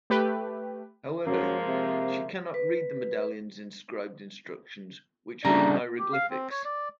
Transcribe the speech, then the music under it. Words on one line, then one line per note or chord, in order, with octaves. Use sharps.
However, she cannot read the medallion's inscribed instructions, which are in hieroglyphics.
A3 G4 B4
F#2 F3 F#3 G#3 A#3
C3 E5
B4
C#3 G3 A3 D4 A#5
G4
F5
C4
C#5
D5